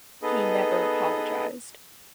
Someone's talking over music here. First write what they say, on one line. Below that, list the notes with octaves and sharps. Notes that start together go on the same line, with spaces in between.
He never apologized.
B3 D#4 G#4 A4 B4 D#5